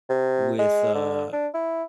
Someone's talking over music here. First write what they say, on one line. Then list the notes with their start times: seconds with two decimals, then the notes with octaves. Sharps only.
with, uh,
0.10 C3
0.59 G#3
0.95 D3
1.33 D4
1.54 E4